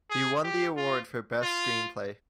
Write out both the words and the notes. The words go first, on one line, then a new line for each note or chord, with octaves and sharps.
He won the award for Best Screenplay.
G#4
G4
F4
F4